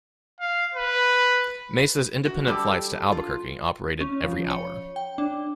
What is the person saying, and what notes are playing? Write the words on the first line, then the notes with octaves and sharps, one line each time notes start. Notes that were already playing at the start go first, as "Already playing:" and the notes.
Mesa's independent flights to Albuquerque operated every hour.
F5
B4
F#4
G3 G4 A4
F4
C#4
F3
C#5
G5
D4